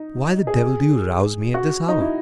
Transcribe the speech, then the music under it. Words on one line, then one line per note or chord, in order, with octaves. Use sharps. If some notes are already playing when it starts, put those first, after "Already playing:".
"Why the devil do you rouse me at this hour?"
Already playing: D#4
G#4
F#4
D#4
E4